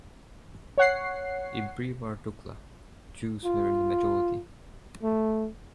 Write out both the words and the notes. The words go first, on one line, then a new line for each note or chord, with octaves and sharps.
In prewar Dukla, Jews were in the majority.
C#5 F#5 C7
F4
A3